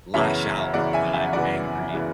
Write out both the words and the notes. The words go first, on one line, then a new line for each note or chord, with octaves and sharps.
lash out when I'm angry
F#2 C#3 E3 B3 C#5 E5
F#2 C#3 E3 B3 D5 F#5
E5 G#5
E5 G#5
F#2 C#3 E3 B3 D5 F#5
C#3 E3 B3